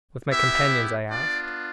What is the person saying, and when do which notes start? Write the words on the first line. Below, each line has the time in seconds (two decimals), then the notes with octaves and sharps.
"With my companions?" I asked.
0.30 B3 E4 G4 E5
1.10 B3 D4 F4 D5